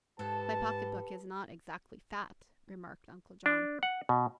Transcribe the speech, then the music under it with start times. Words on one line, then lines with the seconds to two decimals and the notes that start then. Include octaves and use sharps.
"My pocketbook is not exactly fat," remarked Uncle John.
0.19 G#2 G4 A4 B4 F#5 A5
3.46 D4
3.83 F#5
4.09 B2